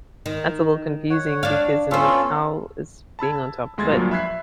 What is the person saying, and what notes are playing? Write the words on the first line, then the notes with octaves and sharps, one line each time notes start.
that's a little confusing because then the cow is being on top, but
D#3
C#5 F#5
D4 F5
B3 C#4 F4 A4 C5
A5 B5 E6 G#6
D2 G#3 C6 G#6 A6
G2 A#2 F3 F#3 F4
E5 B5 F#6 G#6 B6 C7